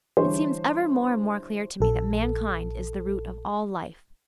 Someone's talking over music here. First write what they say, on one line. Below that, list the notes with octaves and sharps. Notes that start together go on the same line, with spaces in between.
It seems ever more and more clear to me that mankind is the root of all life.
D3 E3 G3 D4 C5 C#5
A#1 A4